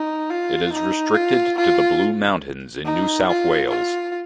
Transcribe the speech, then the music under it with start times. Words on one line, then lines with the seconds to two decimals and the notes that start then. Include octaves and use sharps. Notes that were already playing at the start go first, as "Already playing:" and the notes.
It is restricted to the Blue Mountains in New South Wales.
Already playing: D#4
0.29 F4
0.72 D#4
1.14 F4
1.57 F4
2.85 D#4
3.28 F4
3.70 F4